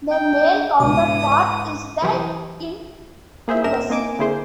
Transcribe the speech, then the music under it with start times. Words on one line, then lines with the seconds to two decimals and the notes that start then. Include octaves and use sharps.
The male counterpart is the incubus.
0.11 G5
0.80 C#2 G#2 B2 E3 D6 D#6
2.02 C2 F#2 E3 E4 G4 D#6
3.48 A#3 G#4 C5 E5
3.64 G1 D4 A#4 D#5 E5 E7
3.90 A#3 C4 D#4 G#5 D6 D7
4.19 D3 A#3 E4 G#4 C5